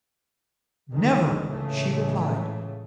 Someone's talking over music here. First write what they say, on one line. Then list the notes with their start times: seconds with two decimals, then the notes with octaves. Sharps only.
Never!' she replied.
0.92 D2 D3 D#3 G#3
1.49 C#2 A2 C#3 E3 A3